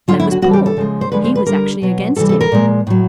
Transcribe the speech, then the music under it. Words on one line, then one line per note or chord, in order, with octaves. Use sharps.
There was Paul; he was actually against Him.
D3 F#3 F4
E4
F#4
C#3 E3 G3 F#4
G4
A4
C#3 F3 G#3
C5
D3 F3 G#3 B4
C5
B4
D3 G3 A#4
B2 F#3
C3 E3 G3 A4
A4
A#4
A#2 F3 G#3
A2 F#3